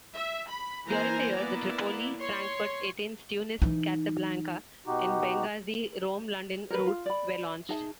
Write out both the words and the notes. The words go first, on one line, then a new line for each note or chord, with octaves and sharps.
During the year, the Tripoli-Frankfurt-Athens-Tunis-Casablanca and Benghazi-Rome-London routes were launched.
E5
B5
E3 A#3 C4 C5 G#5 A#5
A#3 B3 E4 D5
C#5 C6
E3 D#4
B2 D#4 F#4 G4
A#4 B4
F4
D5 B5
D#4 G#4 E5 A5